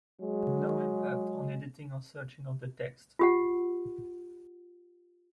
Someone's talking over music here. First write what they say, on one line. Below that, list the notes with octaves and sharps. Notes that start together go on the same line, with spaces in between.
Thus they had no impact on editing or searching of the text.
F#3 G#3
F4 G4 F#5